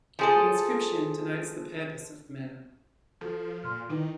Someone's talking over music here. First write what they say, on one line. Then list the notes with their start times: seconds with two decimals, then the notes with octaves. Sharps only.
The inscription denotes the purpose of the medal.
0.19 F3 G#4 A4
3.21 F3 F#4 A4
3.64 A#2 C6 F6
3.90 D#3 D#4 E4 B4